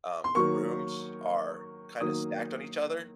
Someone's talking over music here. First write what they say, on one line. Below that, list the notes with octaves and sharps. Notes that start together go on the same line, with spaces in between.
Um, the rooms are kinda stacked on each other,
C6
D#3 F#3 A#3 C#6
D#3 F#3 A#3 D#6